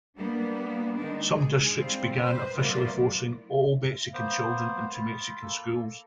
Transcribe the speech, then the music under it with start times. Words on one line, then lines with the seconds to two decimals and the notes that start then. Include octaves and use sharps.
Some districts began officially forcing all Mexican children into Mexican Schools.
0.18 G3 A#3 B3 D4
0.97 D#3 G#3 D4 D#4
1.30 G#3 G#4
1.76 G3 C4 F4
2.19 B4 C5
2.57 F#3 A3 B3 F4 A#4 D5
4.14 A#3 B3 C5
4.93 E4 F4
5.42 A#3 A4